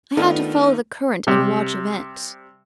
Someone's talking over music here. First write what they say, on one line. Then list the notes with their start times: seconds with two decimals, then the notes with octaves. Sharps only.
I had to follow the current and watch events.
0.17 D#3 A3 B3 D4 F4 A4
1.27 C3 G3